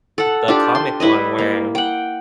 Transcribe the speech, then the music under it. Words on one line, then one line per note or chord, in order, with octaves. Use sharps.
the comic one where,
A4 F#5
D4 F4 G4
C6
G3 E4 B4 D#5
A#3
F#5 G5